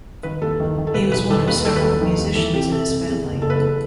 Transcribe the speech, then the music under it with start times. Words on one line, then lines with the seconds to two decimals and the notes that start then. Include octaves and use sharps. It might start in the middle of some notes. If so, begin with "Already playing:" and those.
He was one of several musicians in his family.
0.23 D#3 B4
0.42 D#2 A4
0.60 D#3
0.77 D#3
0.87 A4
0.94 E1 B4
1.12 E1 B4
1.30 D#3 A4
1.48 D#2 B4
1.65 D#3 A4
1.76 B4
1.82 D#2 A4
2.01 D#3
2.18 D#2
2.35 E3 A4
2.53 C3 G4
2.71 C3 A4
2.89 C2
3.06 E2
3.24 F#1
3.42 F#1 A4
3.50 B4
3.56 E2 A4